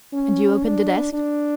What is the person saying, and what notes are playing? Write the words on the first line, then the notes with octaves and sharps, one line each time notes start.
"And you opened the desk?"
C#4
D4
D4